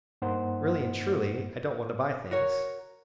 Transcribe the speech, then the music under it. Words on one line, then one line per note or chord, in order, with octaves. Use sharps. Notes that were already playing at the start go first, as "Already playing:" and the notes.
Really and truly, I don't want to buy things.
G2 A#3 D#4 C5 F#5
F#4 A#4 C#5 F#5